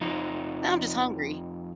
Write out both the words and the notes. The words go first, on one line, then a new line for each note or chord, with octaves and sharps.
Now I'm just hungry.
F2 F3 D#4